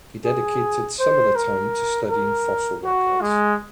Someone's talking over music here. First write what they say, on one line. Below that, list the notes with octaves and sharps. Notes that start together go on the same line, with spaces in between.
He dedicated some of the time to studying fossil records.
G#4
C5
A#4
A#4
F#4
G#3